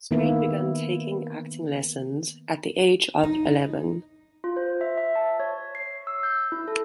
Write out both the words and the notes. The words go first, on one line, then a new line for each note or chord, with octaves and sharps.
Strait began taking acting lessons at the age of eleven.
D#3 A#3 B3 E4
D#4
F4
C5
E5
E5
A5
C#5
C7
E6
G6
E4
A4